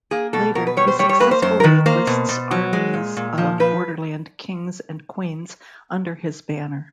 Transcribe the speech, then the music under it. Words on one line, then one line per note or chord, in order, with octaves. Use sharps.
Later, he successfully enlists armies of Borderland kings and queens under his banner.
A#3 G#4
B2 A4
B2 A#4
B4
G3 C#5
C5
G3 C#5
C#5
A#3 B4
C5
F#2 C5
A#4
D#3 B4
A#3 C5
B2
B2
F#3
G#3
A#2
A#2
F3
F3 B4